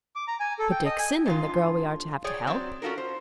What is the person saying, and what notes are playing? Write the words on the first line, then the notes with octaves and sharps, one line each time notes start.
'But Dixon, and the girl we are to have to help?'
D6
A#5
G#5
A4
G5
D#5
G#5
G#2 D3 F4
G#4 C#5 D5 G5
F#3 C4 D5
C#4 F4 F#4 A4 A#4
C5